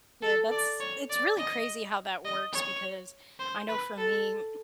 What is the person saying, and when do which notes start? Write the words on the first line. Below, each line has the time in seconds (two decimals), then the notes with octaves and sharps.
Yeah, that's it's really crazy how that works because I know for me
0.23 A4
0.52 D5
0.80 C#5
1.10 D5
1.37 D#5
2.25 D#5
2.53 C#5
3.40 C5
3.68 B4
3.98 A4